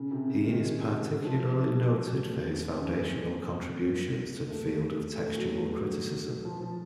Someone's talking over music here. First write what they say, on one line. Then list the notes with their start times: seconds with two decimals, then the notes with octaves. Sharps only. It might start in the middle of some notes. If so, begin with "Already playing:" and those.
He is particularly noted for his foundational contributions to the field of textual criticism.
Already playing: C#3
0.11 C3
0.27 C#3
0.43 D#3
1.25 F3
1.89 F#3
2.11 A3
2.24 C4
2.33 A#3
2.76 C#4
2.89 A#3
2.97 C4
3.14 A#3
3.20 C4
3.85 A#3
4.50 A3
5.14 A3
5.36 F#3
5.58 F#3
6.45 F3
6.61 F3